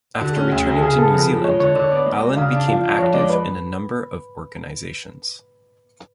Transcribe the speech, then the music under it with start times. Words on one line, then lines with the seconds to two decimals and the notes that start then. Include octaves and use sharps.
After returning to New Zealand, Allen became active in a number of organisations.
0.21 D3 F#4
0.32 C#4 G#4
0.44 F#4
0.52 D2
0.67 F#3
0.75 A4
0.82 C#3 G#4
0.98 B3 A4
1.14 F2
1.29 F3
1.44 G#3 C#5
1.60 D3 C#5
1.75 D3 D5
1.84 C#5
1.91 B3 D5
2.06 G#3
2.21 F#4
2.37 C#3 F5
2.52 D4
2.68 F3 F5
2.84 D4
2.99 F2 C#5
3.14 G#3 D5
3.30 B4